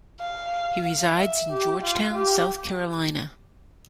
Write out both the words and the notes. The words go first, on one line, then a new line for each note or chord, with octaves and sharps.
He resides in Georgetown, South Carolina.
F5
E5
G4
F4
G4